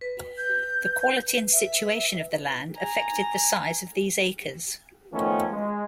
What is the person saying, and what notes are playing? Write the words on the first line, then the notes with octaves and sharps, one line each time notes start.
The quality and situation of the land affected the size of these acres.
B4
G6
E5
G#5 A#5
D#3 F3 A3 B3 C#4
G#3